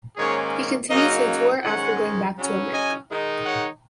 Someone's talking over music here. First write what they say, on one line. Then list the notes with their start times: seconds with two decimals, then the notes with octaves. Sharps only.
He continued to tour after going back to America.
0.16 G#2 D#3 A#3 C#4 G#4 C#5
0.90 F#2 C#3 F#3 A#3 D#4 A#4 D#5
1.63 G#2 D#3 G#3 C#4 C#5 F#5
2.36 C#3 F#3 C#4
2.73 D#5 G#5
3.10 D#3 G#3 D#4
3.46 C#5 F#5